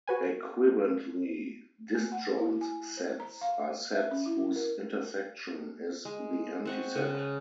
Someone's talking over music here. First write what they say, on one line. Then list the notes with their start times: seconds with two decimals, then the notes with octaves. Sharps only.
Equivalently, disjoint sets are sets whose intersection is the empty set.
0.07 F#4 B4 G#5
1.95 A3
2.12 F#5
2.38 E4
2.61 G#5
2.97 C5
3.20 A#5
3.41 F5
3.92 E5
4.11 C#4
4.26 E4
4.56 A#4
6.05 G#3
6.65 C4 F#5 C#6
6.95 C#3